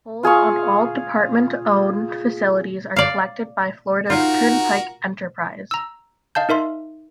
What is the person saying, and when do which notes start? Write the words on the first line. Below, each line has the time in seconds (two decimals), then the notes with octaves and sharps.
Tolls on all Department-owned facilities are collected by Florida's Turnpike Enterprise.
0.23 F4 G#4 F5 C#6
2.96 D5 F5
4.10 D#4 F4 F#4 A#4
5.71 A#5 E6
6.35 D#5 F5 A5 G6
6.49 D#4 A#4 E5 C6